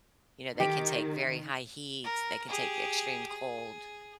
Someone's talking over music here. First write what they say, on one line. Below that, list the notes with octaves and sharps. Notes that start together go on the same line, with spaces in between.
You know, they can take very high heat, they can take extreme cold.
D#3 G4
A#4
G4 G#4
G#4